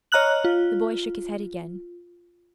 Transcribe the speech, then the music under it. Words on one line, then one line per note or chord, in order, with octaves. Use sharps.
The boy shook his head again.
C#5 D#5 A#5 F6 F#6 F#7
F4